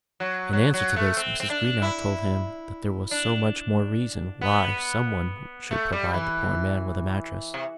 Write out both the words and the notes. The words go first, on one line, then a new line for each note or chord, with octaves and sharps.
In answer to this Mrs. Greenow told him that there was so much more reason why some one should provide the poor man with a mattress.
F#3
F#3
F#3
A3
C4
C4
D4
E4
D4
B3
A3
G3
E3
C3